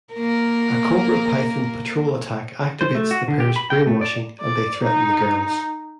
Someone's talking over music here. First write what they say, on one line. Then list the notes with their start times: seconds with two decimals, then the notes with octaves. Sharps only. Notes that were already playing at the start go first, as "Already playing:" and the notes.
A Cobra Python Patrol attack activates the pair's brainwashing and they threaten the girls.
0.14 A#3 A#4
2.81 C5
2.95 A3
3.11 F#4
3.28 D3
3.40 G4
3.56 B5
3.70 G5
3.87 A3
4.01 D5
4.41 D5
4.84 D#4